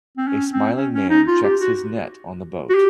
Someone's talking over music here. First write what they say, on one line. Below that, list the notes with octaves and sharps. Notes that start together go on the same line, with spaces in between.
A smiling man checks his net on the boat.
C4
C#4
C4
C#4
C#4
D#4
F4
G4
F#4
F#4
G4